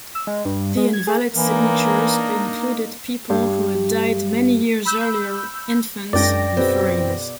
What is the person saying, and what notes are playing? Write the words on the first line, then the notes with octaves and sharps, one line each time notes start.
The invalid signatures included people who had died many years earlier, infants, and foreigners.
E6
G#3
G2
G#3
G#6
G#4
E3 A#3 D4 D#4
G2
B5 E6 G6
F#2 G#3 D4 A#4 D5 G5 A#6
B2 C4 G#4 B4